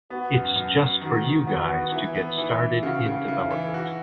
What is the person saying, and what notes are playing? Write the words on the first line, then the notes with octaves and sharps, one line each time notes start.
It’s just for you guys to get started in development.
B3 F#4
F#2
F#2
B3
D#3 F#4
D#3
B3 F#4
B3
E3 E4
B3
E3
E3
C#3 F#4
C#3
C#3 E4
E3
F#4